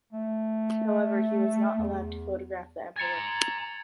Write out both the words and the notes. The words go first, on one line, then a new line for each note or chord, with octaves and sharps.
However, he was not allowed to photograph the emperor.
A3
E2
G#5 A#5 G#6 A6 C#7